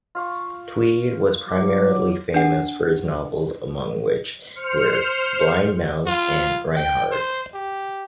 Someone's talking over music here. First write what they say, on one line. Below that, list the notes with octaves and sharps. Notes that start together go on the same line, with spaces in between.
Tweed was primarily famous for his novels, among which were "Blind Mouths" and "Rinehard".
F4 F5 C#6
F3 F#3 D6
D4 F#5
C5 F6 C#7
F4
G5
C5
G4